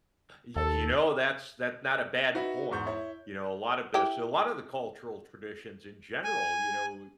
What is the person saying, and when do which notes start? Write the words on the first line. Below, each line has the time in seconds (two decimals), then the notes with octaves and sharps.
Y you know, that's that not a bad point, you know, a lot of this a lotta the cultural traditions in general, you know,
0.56 D#2 A4
2.34 D#4 F#4 B4 E5
2.71 E2 G#2 C#6 G6
2.86 E4 C#5
3.94 E4 G4
6.24 G#5